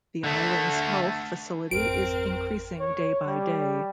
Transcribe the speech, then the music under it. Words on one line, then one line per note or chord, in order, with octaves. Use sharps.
The islands health facility is increasing day by day.
D3 A3
G#1 F2 C4 A#4 D7
C#5
G3